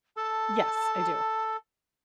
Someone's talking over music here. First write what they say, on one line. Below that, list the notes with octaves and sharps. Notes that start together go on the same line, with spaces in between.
Yes, I do.
A4 A5